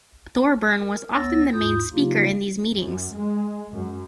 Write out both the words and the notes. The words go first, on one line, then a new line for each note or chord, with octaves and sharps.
Thorburn was often the main speaker in these meetings.
A#4
D2 B3 C#5 E6 A6 A#6
D#2 G#2 E4 F4 D#6 G6
C#3 F#3 A#3 D#4 F4 G4
F#2
G#3
F#2